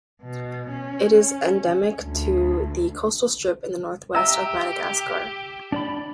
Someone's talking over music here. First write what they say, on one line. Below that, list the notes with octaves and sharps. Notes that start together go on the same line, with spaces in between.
It is endemic to the coastal strip in the northwest of Madagascar.
B2
C#4
D2
G4 E5 A#5 E6
D4 D5 B5